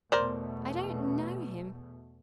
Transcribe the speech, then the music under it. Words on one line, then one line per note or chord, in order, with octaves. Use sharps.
I didn't know him!
E2 B2 A3 A#4 C5 D5